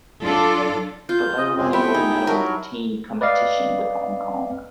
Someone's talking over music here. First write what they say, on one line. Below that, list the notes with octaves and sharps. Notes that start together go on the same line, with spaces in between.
But later won a gold medal in the team competition with Hong Kong.
F#3 D4 F4 A4 D5
F4 G6
D#5
F#2 C3 G#3 C4 G#5
G3 B3 E4 E5 G5 B5
D#4 G#4
F#3 A#4 A5
B4 D5 D#5 F5